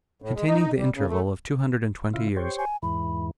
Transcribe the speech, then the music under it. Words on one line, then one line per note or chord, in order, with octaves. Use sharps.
Containing The Interval Of Two Hundred And Twenty Years.
A2
G#3
D#4
G3
C#3
A3
C#3 E4 F4
G4 C5 C#5
G#5
E2 G#2 E3 B5